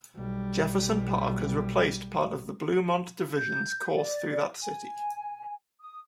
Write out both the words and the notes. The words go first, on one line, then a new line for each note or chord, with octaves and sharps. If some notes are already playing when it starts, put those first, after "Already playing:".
Jefferson Park has replaced part of the Bluemont Division's course through that city.
B1 G3
G6
D5
G#5
D#6